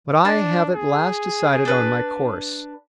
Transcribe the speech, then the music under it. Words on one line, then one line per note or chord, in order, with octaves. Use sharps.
But I have at last decided on my course.
D4 A5
G#4
D4 B4